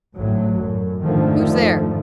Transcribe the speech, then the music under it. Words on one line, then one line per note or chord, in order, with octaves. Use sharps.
"Who's there?"
G#1 D2 A2 F#3
F#2
F2 G#2 D3 D#3 F3 A3